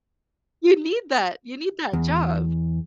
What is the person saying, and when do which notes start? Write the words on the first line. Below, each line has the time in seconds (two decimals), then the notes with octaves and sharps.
You need that, you need that job.
1.93 E2